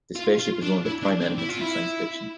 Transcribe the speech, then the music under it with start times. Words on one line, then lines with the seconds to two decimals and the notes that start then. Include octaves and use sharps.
The spaceship is one of the prime elements in science fiction.
0.16 F4
0.39 F4
0.62 D4
0.85 E4
1.03 D4
1.21 C4
1.38 E4
1.49 F4
1.61 E4